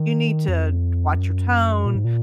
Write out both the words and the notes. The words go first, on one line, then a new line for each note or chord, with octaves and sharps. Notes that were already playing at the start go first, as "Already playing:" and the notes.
you need to watch your tone,
Already playing: D#3
F2
F#2
A#2
G#2
A#2